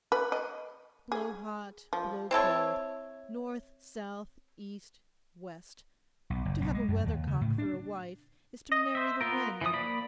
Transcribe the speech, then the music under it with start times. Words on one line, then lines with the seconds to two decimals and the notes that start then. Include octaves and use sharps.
Blow hot, blow cold. North, south, east, west--to have a weathercock for a wife is to marry the wind.
0.12 B4
0.32 D#5
1.12 G#4
1.93 F3
2.31 C4 E4 A4 C#5
6.30 B1
6.45 F#1
6.61 B1
6.74 G#3
6.88 F#2
7.06 D#2
7.27 C#3
7.41 A2
7.58 D4
8.72 D#5
8.95 C5 E5
9.21 B3 F4 A#4
9.61 E3 F3 D#6
9.73 A#3 D5 B5